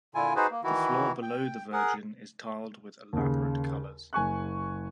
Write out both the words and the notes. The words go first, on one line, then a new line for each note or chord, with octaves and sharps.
The floor below the Virgin is tiled with elaborate colors.
A#2 D3 E4 F4 G#5
D#4 F#4 G#4 B4 C5
A#3
D#3 E3 E4 F#4
G5
G#4 A#4 F#5
D#2 C#3
F#1 G#5 C#6 F#6